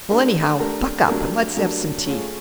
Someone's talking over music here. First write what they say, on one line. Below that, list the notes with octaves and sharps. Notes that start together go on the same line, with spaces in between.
Well, anyhow, buck up, and let's have some tea.
A3 D4 G4 A#4
A3 D4 G4 A#4
F#3 A3 D4 G4 A#4
F#3 A3 D4 G4 A#4
A3 C#4 F4 G#4